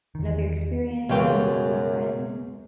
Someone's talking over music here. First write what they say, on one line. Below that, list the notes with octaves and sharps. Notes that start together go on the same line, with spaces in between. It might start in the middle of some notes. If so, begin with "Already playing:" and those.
another experience or maybe from a friend?
E2 D#3
C#2 F#2 B2 E3 F4 G5